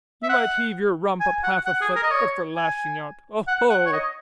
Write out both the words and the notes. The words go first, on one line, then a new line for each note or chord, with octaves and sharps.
You might heave your rump up half a foot, but for lashing out--oho!
E5
F#5
G#5
F#5
F#5
G#4
A#4
D#5
C#5
G#5
F#5
F#5
C#5
D#5